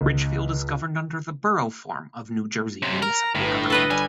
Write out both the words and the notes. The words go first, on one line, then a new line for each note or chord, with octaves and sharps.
Ridgefield is governed under the Borough form of New Jersey municipal government.
C#2
F#2 C3
A#4 A#5
G1 A2
A4 B4 D#5
G3 G#5